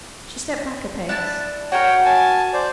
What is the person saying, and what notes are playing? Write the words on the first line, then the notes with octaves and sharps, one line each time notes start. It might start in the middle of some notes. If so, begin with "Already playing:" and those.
She stepped back a pace.
D4 E4 A5
F#4 A#4 C#5 G5
G#5 A5
C5 D5